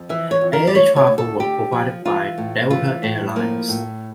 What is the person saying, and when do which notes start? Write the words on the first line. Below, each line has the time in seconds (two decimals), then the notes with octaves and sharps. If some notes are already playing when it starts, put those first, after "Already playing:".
Air travel was provided by Delta Air Lines.
Already playing: F2
0.09 E3 E5
0.31 C#5
0.41 F2
0.53 A#4
0.67 D5
0.74 D2 C#5
0.96 C#5
1.07 D2
1.18 A4
1.40 D3 G4
1.72 F3
2.05 E3 F4
2.38 A2
2.70 E3 F4
3.03 A2
3.36 F3 A#3
3.68 A2